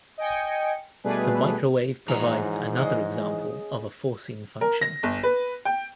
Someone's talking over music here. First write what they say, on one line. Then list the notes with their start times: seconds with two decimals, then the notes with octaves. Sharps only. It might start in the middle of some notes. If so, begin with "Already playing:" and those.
The microwave provides another example of a forcing function.
0.18 D#5 G5 G#5 C#7
1.04 B2 G3 A3 D4 G#4 B4
2.08 G#2 E3 F3 C#4 F4 F#4 A#5
2.77 C#3 G#3 D#5
4.61 A#4
4.81 A#6
5.03 G1
5.23 B4
5.65 G5